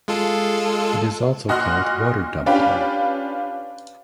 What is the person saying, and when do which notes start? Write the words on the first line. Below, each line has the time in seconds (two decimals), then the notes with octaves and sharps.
It is also called "water dumpling".
0.08 G#3 F4 A4
1.48 A#2 F#4 D#5 C6 F6 F#6
2.46 C#4 D4 F4 G4 B4